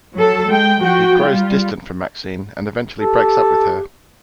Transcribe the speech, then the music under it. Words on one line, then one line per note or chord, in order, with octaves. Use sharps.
He grows distant from Maxine and eventually breaks up with her.
F#3 A4
G#3 G5
F3 F#4 G5
G3 F4
G4 A4